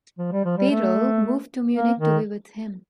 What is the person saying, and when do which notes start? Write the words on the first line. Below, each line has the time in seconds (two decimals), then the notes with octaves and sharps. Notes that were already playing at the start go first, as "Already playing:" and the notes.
Perel moved to Munich to be with him.
0.18 F3
0.32 G3
0.45 F3
0.58 G3
0.70 A3
1.74 A#3
1.99 D#3